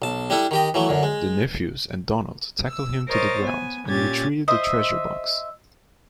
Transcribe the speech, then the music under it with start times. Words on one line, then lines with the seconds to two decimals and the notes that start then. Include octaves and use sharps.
The nephews and Donald tackle him to the ground and retrieve the treasure box.
0.02 B1 A5
0.30 G3 D4 E4 A4
0.51 D#3 G4 D#5
0.74 E3 F#3 A3
0.89 F#2 D3
1.03 G#3
2.68 E6
3.09 A#4 C5 C#5 D#5 A6
3.42 B3 G#5
3.87 A#2 C#4 G4 G#6 A6
4.48 C5 D#5 E5